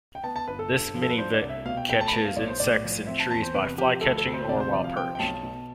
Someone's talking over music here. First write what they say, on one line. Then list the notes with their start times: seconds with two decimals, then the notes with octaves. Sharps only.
This minivet catches insects in trees by flycatching or while perched.
0.15 G5
0.24 B3 A5
0.36 A5
0.48 G1 B4
0.59 A4
0.71 G2
0.94 F3
1.02 A4
1.10 B4
1.18 D4 C5
1.34 D5
1.42 C2
1.50 E5
1.65 B2 F5
1.77 G5
1.89 A3 G5
2.01 A5
2.08 B5
2.13 B3 A5
2.25 F5
2.36 B1 D5
2.48 C5
2.60 A2 D5
2.84 F3
3.07 C4 E5
3.20 A5
3.31 E2 A5
3.43 C5
3.54 C3 B4
3.78 F3 G4
4.01 D2 A4
4.18 A4
4.26 D2
4.34 C5
4.49 C3 D5
4.60 C5
4.72 F3 D5
4.84 F5
4.97 C4 G5
5.15 G5
5.19 B1 A5
5.43 B2